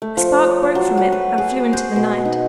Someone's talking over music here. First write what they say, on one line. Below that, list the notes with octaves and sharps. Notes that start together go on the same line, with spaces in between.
A spark broke from it and flew into the night.
A3
F3
C#5
C5
F#3
F#4
B4
G#4
C5
B2
D#4